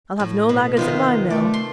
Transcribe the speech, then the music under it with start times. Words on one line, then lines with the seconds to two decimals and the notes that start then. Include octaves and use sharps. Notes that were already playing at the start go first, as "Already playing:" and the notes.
'I'll have no laggards at my mill.
0.20 A2
0.49 B2
0.77 C3 D#3 B3 F4
1.30 A3 D5
1.54 C6